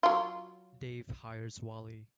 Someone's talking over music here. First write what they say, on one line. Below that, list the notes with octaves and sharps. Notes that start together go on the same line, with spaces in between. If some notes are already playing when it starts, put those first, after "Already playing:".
Dave hires Wally.
F#3 F4